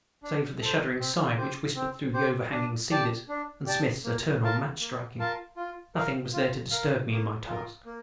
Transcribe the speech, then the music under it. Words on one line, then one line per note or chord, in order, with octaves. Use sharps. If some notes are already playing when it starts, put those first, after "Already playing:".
Save for the shuddering sigh which whispered through the over-hanging cedars and Smith's eternal match-striking, nothing was there to disturb me in my task.
D4
A4 C5
C4
G4 C5
C4
G4 C5
D4
G4 D5 A5
D4
G4 D5 A5
A#3
F4 A#4 F5 A5
A#3
F4 A#4 F5 A5
F4
A#4 F5
F4
A#4 F5
A#3
F4 A#4
A#3